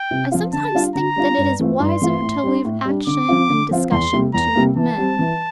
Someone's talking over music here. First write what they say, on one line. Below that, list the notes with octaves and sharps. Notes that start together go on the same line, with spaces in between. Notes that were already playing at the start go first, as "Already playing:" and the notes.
"I sometimes think that it is wiser to leave action and discussion to men."
Already playing: G5
C3
F3 C4 F4
D3 A5
G3 D4 F4
D3 A#5
G3 D4 F4
G2
E3 A3 C4 F4
G2 C6
E3 A3 C4 F4
A2
G3 D4
A2
G3 D4
D3 D6
F3 C4 F4
D3
F3 C4 F4
E2 C6
C3 G3 A#3
E2 A#5
C3 G3 A#3
E3 A5
G3 C4
E3